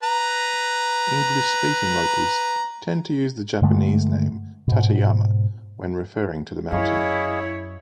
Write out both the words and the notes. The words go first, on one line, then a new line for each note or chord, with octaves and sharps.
English-speaking locals tend to use the Japanese name Tateyama when referring to the mountain.
B4 A#5
G2 D3 G#3 A3
G#2 B2
F#2 E4 G#4 C#5 D#5 F5